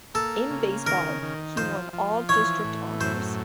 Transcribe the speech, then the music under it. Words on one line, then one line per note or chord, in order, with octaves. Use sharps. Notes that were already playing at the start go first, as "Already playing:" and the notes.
In baseball, he won All-District honors.
A#3 A4
C#3
D#3 A#4
D#3
F3 C5
F3
E3 C#5
A2
F#2 C5